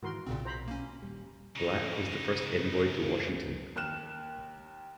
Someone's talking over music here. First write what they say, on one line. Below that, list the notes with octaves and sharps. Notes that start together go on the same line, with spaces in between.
Blak was the first envoy to Washington.
G#2 D#3 E3 F#4 A#4 C6
B1 A#2 C#3 C4
C5 A#5 B5
A#3 C#4
D#1 G3
C#3 D#4
D#2 A#4 F6 F#6 E7